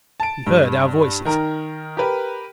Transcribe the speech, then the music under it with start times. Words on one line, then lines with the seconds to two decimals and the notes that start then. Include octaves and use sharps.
He heard our voices.
0.20 A5 D7
0.47 G2
1.25 D#3 A#4 A#5
1.97 G4 A#4 B4